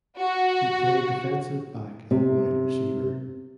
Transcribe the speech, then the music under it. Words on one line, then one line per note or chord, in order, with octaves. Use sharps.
He played defensive back and wide receiver.
F#4
C3